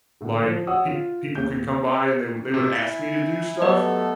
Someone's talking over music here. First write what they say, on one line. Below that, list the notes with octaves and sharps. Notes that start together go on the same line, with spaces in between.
Like, pe people can come by and they wou they would ask me to do stuff,
A2 D3
F3
F#4 C#5 F#5 D#6 E6
F4
D#2 G6
C3
E4 G#5 A6 B6
F#3 A3 B3 G4 A4 B4 D#5